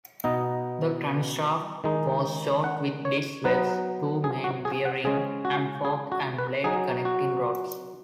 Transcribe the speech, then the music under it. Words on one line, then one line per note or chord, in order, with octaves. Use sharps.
The crankshaft was short with disk webs, two main bearings and fork-and-blade connecting rods.
B2 B3 D#4 D#5
D#3 G#3 D#4
F#5
C#5
F#3 B3 D#4 B4
G#4
F#4
G#4
F#5
C#3 G#3 C#4 G#4
F#4
G#4
F#4
B4
F#3 D#4 G#4
F#4